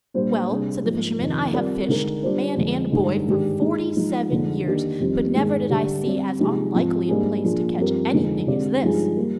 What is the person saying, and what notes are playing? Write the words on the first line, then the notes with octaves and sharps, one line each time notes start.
"Well," said the fisherman, "I have fished, man and boy, for forty-seven years, but never did I see as unlikely a place to catch anything as this."
A#2 G3 D4 G4 C5
C3 G3 D4 G#4
G#2 F3 A#3
F2 C3 D#3
G3 C4 F4 A#4 D5
D3 G#3 D#4 A#4
G3 D4 F4 C5
F2 D3 G#3
G2 D3 G#3 D#4
G#2 D#3 G#3 D4 G4
G#3 D#4 G#4
F3 G#3 D#4
F2 D3 G#3 D#4
D#3 A#3 D4 G4
F2 D#3 G3 C4 G4
G#2 D#3 G#3 D#4 G#4
D3 G3 D4 G4
G3 C4 G4 D5
C3 F3 G#3 D#4 G4
G#2 F3 C4
G#2 G3 A#3 D4 G#4
A#2 F3 A#3 D4 G#4
G2 F3 C4 G4 A#4
F2 D3 G#3 D#4
D3 G#3 C4 G4 D5
G2 F3 G#3 D#4 G#4
G3 A#3